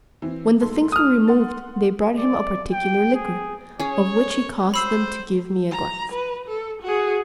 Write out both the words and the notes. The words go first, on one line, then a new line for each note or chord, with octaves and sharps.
When the things were removed, they brought him a particular liquor, of which he caused them to give me a glass.
E3 C4
G#2 A4 C6
D#6 F6
F#5 C6 A6
D5
G5
G#4
C#4 G#4 C#5
C5 B5 E6 C7
A#5
B4
A4
F#4 G#4